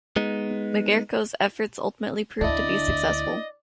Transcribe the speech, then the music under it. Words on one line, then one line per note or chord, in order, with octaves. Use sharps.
Magerko's efforts ultimately proved to be successful.
G#3 B3 D#4
D2 D3 D4 E4 D5 D#5